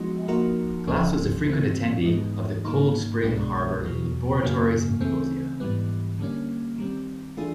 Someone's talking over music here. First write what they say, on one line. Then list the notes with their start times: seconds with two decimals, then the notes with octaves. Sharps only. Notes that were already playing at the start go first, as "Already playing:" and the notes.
Glass was a frequent attendee of the Cold Spring Harbor Laboratory Symposia.
Already playing: F3 G#3 B3 D#4 F#4
0.28 F3 A#3 D#4 F#4 A#4
0.87 C#2 C#3 F3 A3 C#4
1.47 E3 A3 C4
2.05 G#2 E3 G#3 B3 D#4
2.64 G#2 D#3 F#3 A#3 D#4
3.24 C2 B2 G#3 B3 D4
3.82 E2 B2 F#3
4.41 F#2 C#3 F#3 A#3
5.01 C#3 E3 A3 C4
5.60 G#2 E3 G3 B3
6.19 D3 G3 A#3 C#4
6.78 D#3 G3 C4
7.37 E3 A3 D4 F4 G#4